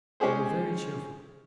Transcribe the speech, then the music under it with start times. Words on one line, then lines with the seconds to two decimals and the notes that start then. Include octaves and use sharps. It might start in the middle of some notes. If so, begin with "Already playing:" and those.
They were very cheerful.
0.20 G#3 C#4 G4 G#4 C5